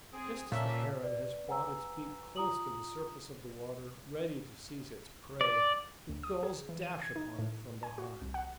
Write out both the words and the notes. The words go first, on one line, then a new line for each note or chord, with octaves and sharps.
Just as the heron has brought its beak close to the surface of the water, ready to seize its prey, the gulls dash upon it from behind.
C4 G#4
A#2 C#4 A4 E5
B4 D5
B4 F#5 G#5 A#5 E6
F4 A#5 D#6 F#7
D5
D2
D#6
G#4
E3
D#7
G#6
D#4
A2
G#5
F#4
C2
F#5